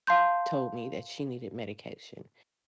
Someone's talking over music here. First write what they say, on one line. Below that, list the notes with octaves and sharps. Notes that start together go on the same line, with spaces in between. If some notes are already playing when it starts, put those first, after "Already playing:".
told me that she needed medication,
F5 A5 C6 G6